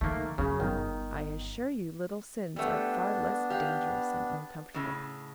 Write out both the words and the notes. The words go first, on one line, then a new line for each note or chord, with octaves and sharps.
I assure you little sins are far less dangerous and uncomfortable.
D#3 A3 A#3
F#2 C#3
G1 D#3
G3 A3 B3 D4
G4 F5
A2 C#3